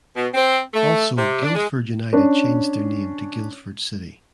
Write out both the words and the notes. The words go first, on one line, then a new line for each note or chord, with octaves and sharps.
Also Guildford United changed their name to Guildford City.
B2
C4
A3
C3
D4
G#3
C#4 D4